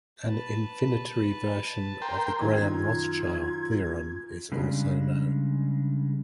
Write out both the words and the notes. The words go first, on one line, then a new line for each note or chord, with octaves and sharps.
An infinitary version of the Graham–Rothschild theorem is also known.
B4 A5
A#4 G5 C6
F#2 D#3 F4 G#6
C#3 G3 G#3 D4